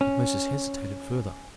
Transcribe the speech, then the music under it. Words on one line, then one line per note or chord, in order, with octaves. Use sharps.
Tutmosis hesitated further.
C#4